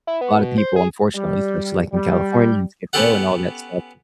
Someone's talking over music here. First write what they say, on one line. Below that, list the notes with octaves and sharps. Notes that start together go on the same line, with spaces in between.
A lotta people, unfortunately, especially, like, in California, and Skid Row and all that stuff,
E4
B3
B2
C5
G#4
G3
G3
B3 C#4 G4 A4 F#5